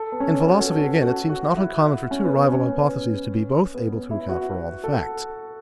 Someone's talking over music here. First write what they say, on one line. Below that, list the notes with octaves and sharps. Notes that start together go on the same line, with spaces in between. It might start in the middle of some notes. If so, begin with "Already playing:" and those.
In philosophy, again, it seems not uncommon for two rival hypotheses to be both able to account for all the facts.
Already playing: A4
B3
C#4
F#4
A4
F#4
A4
F#4
F#4
E4
C#4
B3
B3
C#4
B3
E4
F#4
A4